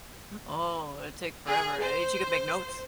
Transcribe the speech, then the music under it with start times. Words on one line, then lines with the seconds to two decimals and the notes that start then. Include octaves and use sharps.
Oh, it take forever and she could make notes.
1.47 G#4
1.82 C5